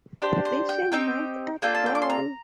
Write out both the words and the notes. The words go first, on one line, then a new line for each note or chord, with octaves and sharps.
Fishing rights are drawn.
D4 G4 C5
C5
G5
C4 D#4 G4 G5
A#3 D4 F4 A4 G5
A5
G5
D6
C6
A#5